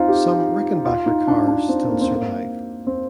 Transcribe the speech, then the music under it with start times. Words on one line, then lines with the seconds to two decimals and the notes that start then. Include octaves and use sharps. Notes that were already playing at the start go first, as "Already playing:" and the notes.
Some Rickenbacker cars still survive.
Already playing: C4 D#4 F4
0.08 G4
0.85 F4
1.06 D#4
1.27 D4
1.48 D4
1.69 C4
1.89 A#3
2.01 C4
2.15 A#3
2.87 C4